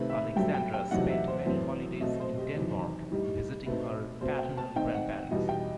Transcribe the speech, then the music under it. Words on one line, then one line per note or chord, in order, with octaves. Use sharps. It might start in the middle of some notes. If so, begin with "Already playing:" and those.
Alexandra spent many holidays in Denmark visiting her paternal grandparents.
Already playing: C3 D#3 A3 C4 B4
E5
G2 F#3 A3 G5
G5
G5
E2 C3 F#3 A3 D#4 F#5
E5
C5
F#2 E3 A3 C4
B2 A3 C4 D#5
C5
G4
E2 C3 D#3 F#3
A2 G3 D#4 G4
B2 A3 C4 D#4 B4
B2 A3 C4 C5
G5
A5
D#3 A3 C4 D#4 G5
F#5
E2 B2 G3 D#4 D#5
G5